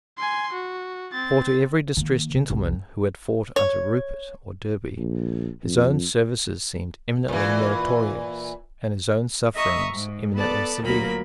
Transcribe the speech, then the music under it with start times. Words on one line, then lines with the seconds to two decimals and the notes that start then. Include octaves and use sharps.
For to every distressed gentleman who had fought under Rupert or Derby his own services seemed eminently meritorious, and his own sufferings eminently severe.
0.17 G#5 C6
0.53 F#4
1.12 C4 A6
1.97 D#3 A#3
2.34 C3
2.50 C2
3.56 C#5
4.97 A#1
5.64 F2
7.28 A#2 E3
9.56 D#5 E5 A#5 C#6 D#6 E6
9.91 G#2
10.35 B3 A4 B4 D5 A5
10.81 D2 A#2 F#3 A#3 A#4 B5